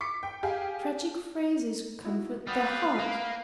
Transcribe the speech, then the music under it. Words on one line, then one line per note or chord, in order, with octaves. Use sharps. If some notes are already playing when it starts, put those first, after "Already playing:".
Tragic phrases comfort the heart....
D6 B6 C#7
G5
G4 G#4 F5 G5
D#4 E4 F#4
G3 B4 F5 F#5 D#6 F6
A#3